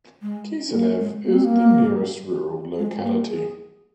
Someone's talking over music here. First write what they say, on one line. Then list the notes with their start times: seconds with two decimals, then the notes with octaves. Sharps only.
Kiselev is the nearest rural locality.
0.22 G#3
0.73 A#3
1.00 G#3
1.25 A#3
1.33 C4
1.44 A#3
2.79 G#3
3.04 A#3
3.29 G#4